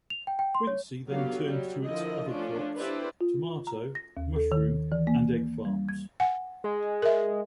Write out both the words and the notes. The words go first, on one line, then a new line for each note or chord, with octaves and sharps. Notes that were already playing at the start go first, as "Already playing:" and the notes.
Quincy then turned to its other crops, tomato, mushroom and egg farms.
F7
G5
G5
C6
C#5
D3 F#3 B3 G4 F5
F#3 G3 G4
D3 F3 E4 A#4 D#5
F3 A3 C#4 D4 F4
D4 E4 G4 B4 C5 D5
F4
A#5
A#6
D#2
A4
D#3
E3
A#3
G3
G#6
F#5 G#5
G#3
A#4 E5